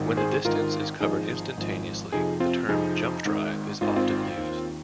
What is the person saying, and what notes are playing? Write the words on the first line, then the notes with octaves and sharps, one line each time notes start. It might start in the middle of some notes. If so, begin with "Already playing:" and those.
When the distance is covered instantaneously, the term jump drive is often used.
Already playing: G#1 G#2 D#3
G#4 C5
G#1 G#2 D#3 F4 A#4
G#1 G#2 F3 D#4 G#4
G#1 G#2 F3
F2 C3 F3 D#4 G#4
C4 F4
F2 C3 F3 D#4 G#4
G#1 G#2 D#3
G#1 G#2 D#3 F4
D#4
C4 F4
D#2 D#3